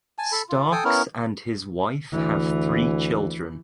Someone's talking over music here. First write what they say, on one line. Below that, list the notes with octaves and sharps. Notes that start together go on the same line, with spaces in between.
Starks and his wife have three children.
G#5 A5
A4 B5
F4
A4 G5 G#5 D#6
B3 C#4 E4 A#4
D2 E3